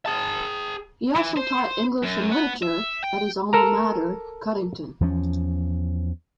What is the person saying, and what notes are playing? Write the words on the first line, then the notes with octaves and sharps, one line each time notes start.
He also taught English and Literature at his alma mater, Cuttington.
G#4 A5
E3
C5
F#2
B3
E5
G5
A4 A#4 A#5
E2 F3 F#3 C#4